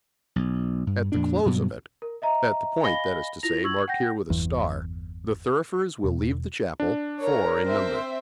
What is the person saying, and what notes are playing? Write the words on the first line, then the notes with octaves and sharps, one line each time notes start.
At the close of it--at the point, that is to say, marked here with a star, the thurifers will leave the chapel, four in number.
B1
G2
F2 A#2 D4
G2 B2 F#3
A#4
D#5 E5 A#5
D#5 F5 G#5 B5 A#6 G7
E4 F4 A#6 F7
C#6 E6 G#6 F#7
F#5 G5 G6 A#6
G1 E2
E1
D4
A#4 C#5 A#5
C4 C5 E5